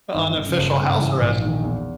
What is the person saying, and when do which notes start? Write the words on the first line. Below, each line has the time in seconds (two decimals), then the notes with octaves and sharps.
unofficial house arrest.
0.14 G1 D#3
0.36 G1
0.47 C#3
0.58 G1
0.79 G#2
1.00 E3
1.22 A#1
1.43 E1 D#3
1.63 E2